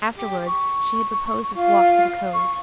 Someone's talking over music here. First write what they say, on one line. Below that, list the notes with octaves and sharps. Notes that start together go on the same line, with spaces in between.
Afterwards she had proposed this walk to the Cove.
G4
C#6
F4
C#6